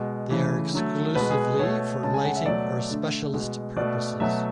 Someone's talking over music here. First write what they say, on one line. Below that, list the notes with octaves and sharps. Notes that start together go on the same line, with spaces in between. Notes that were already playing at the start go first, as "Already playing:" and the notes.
They are exclusively for lighting or specialist purposes.
Already playing: B2 G#3
C#3 E3 A3
D3 F#3 A3
B2 G#3 B4
G#4
B2 A3 C#5
C#3 G#3 A5
G#5
F#5
E5
B2 F#3 A3 D5
D3 A3
B2 G#3
B2 A3 D5
B2 F#3 A3 E5